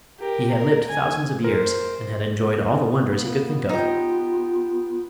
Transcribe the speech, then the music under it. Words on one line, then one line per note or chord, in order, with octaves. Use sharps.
He had lived thousands of years, and had enjoyed all the wonders he could think of.
G4 A#4
A#4
G#5
A#4 C5
B3
A#3
D#4 F4 G4